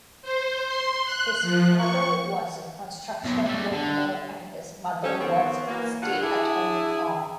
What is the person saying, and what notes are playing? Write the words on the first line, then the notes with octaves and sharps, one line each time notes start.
His father was a construction worker and his mother was a stay-at-home mom.
C5
C6
F#6
F3
C#6
B2 F#3
G3 E5
D3
G3 C#4 D#4 G4 A4
D#3 B3 C4 B4 C#5
E3 F#3 A#3
G2 D3 F4 F#5
D4 E4 G#4